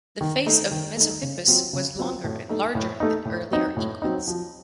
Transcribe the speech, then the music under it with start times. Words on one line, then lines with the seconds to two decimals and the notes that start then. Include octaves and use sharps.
The face of "Mesohippus" was longer and larger than earlier equids.
0.21 D#3
0.46 A3 D#4
0.71 D#3
0.97 A3 D#4
1.22 C#3
1.48 F#3 C4 F4
1.73 C#3
1.99 F#3 C4 F4
2.24 A2
2.49 A3 D#4
2.75 A2
3.00 A3 D#4
3.25 A2
3.51 F#3 C4 D#4
3.77 A2
4.02 F#3 C4 D#4
4.28 F3